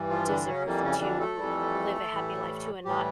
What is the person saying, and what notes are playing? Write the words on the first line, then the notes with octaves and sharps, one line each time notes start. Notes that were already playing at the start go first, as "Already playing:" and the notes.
deserve to live a happy life too and not
Already playing: G2 E3 G3
F3 F4
D3 D4
C#3 C#4
F2 E3 G3 A#3
C#3 C#4
D3 D4
A3 A4
F2 E3 G3
A2 E3 G3
A2 E3 G3 G4